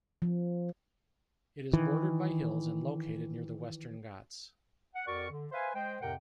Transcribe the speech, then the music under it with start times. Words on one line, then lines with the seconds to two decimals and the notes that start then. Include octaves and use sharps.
It is bordered by hills and located near the Western Ghats.
0.22 F3
1.73 D#3 E3
4.94 F#5
5.07 F2 F#4 A#4 D5 C#6
5.30 D3
5.51 B4 C5 E5 F5 G#5
5.74 G#3 C5 G5
6.00 F2 A2 C3 A#4 F#5 G5